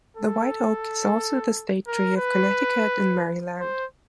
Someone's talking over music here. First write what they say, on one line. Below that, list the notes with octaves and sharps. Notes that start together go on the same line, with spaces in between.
The white oak is also the state tree of Connecticut and Maryland.
A4
A#4
B4
C5